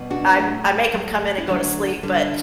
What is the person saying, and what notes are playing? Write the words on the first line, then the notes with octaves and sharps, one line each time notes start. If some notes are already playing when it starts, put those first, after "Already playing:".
I m I make 'em come in and go to sleep, but,
Already playing: B2 G3
D4 F#4
A2 F#3 A3
A2 F#3 A3
E4
D3 F#3 A3 D4 F#4
D3 G3